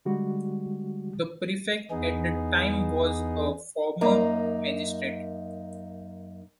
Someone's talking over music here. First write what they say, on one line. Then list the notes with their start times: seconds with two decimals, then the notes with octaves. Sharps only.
The Prefect at the time was a former magistrate.
0.05 D3 G3 G#3 F#4
1.91 E2 B3 D#4 G#4
4.01 F#2 A#3 D#4 A#5